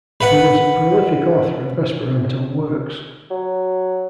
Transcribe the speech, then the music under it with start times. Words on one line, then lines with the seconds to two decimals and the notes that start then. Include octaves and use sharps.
He was a prolific author of Esperanto works.
0.21 B4 F#5
3.31 F#3